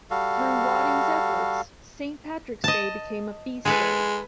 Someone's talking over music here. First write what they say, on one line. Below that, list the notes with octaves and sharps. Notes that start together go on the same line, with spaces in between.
Through Wadding's efforts, Saint Patrick's Day became a feast day.
G3 F#4 A4 F5
D#5 A5
G#3 G#4 A4 B4